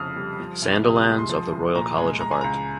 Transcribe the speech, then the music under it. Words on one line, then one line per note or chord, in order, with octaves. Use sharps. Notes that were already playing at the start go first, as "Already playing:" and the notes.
Sandilands of the Royal College of Art.
Already playing: F1 F2 C#3 D#6 F6
G3
F3
C2
C3 D#6
D#6
G#3
C6
F3
C2
A#2 A#5
G#3 G#5
G#3 A#5
G#5
C#2 A#5